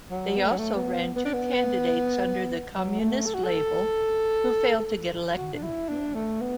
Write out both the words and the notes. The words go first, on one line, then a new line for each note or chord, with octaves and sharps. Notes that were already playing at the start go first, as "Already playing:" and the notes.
They also ran two candidates under the Communist label, who failed to get elected.
F#3
B3
A3
F#3
A3
B3
B3
D4
B3
F#3
A3
A4
F#4
A4
F#4
D4
E4
D4
A3
B3